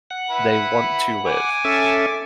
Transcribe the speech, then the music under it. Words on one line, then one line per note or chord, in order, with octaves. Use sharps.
They want to live.
F#5
E4 B4
G#5 D6
C#4 A4 E5